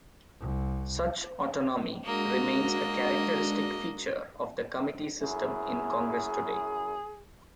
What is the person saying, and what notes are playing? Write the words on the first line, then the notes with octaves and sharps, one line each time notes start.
Such autonomy remains a characteristic feature of the committee system in Congress today.
C2
G#3 A#3 D4 F#4 D#5
F#2 E4 G#4